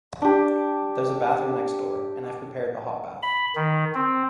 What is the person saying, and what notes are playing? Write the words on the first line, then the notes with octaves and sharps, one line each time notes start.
There’s a bathroom next door, and I’ve prepared a hot bath.
D4 G4
B5
D#3
C4